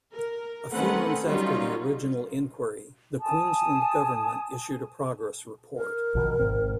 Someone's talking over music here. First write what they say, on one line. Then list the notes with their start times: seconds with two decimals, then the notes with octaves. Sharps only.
A few months after the original Inquiry, the Queensland Government issued a progress report.
0.12 A#4
0.71 D#3 A3 C4 C#4 B4 F#5
1.24 F#3 G3 C#4 D#4 F4
3.21 G#5 A5 D#6
5.76 A#4
6.15 A#1 B2 D#3
6.39 G#1 G#2 C4